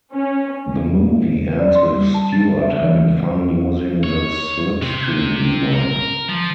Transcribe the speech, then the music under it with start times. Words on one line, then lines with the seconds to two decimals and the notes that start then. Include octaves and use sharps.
The movie ends with Stuart having fun using the Slipstream device.
0.13 C#4
1.59 D5
1.75 C6
1.94 G3
2.14 A5
2.32 A6
2.62 E5
2.80 E3
4.04 C#5
4.82 C3
5.74 A#4
6.28 F3